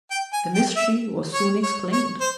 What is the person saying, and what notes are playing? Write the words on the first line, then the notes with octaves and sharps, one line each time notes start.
The mystery was soon explained.
G5
G#5
G5
E5
C#5
C#5
C#5
C5